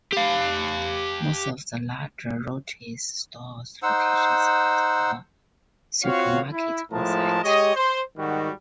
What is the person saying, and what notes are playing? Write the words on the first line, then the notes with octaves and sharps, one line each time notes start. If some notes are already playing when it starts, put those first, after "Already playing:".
Most of the larger Roches Stores locations had a supermarket on-site.
G4 F5
D#4 C5 F#5 E6
C4 F4 F#4 C#5 F5
E4
A2 F3 G#3 A3 A#4 A5
G#3 G4 C#5 D#5
C5
G#2 D#3 G3 F#4